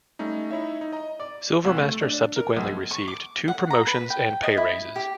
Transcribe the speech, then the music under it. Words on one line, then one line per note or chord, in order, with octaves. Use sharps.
Silvermaster subsequently received two promotions and pay raises.
G3 A3 C#4 D#4
D#4 E4 C#5 E5
D#4
D#5 A#5
D5
C2
A3
D4
A#4
B1
C#6
D6
F#5
A#5
B4
G5
D#5
E4
G4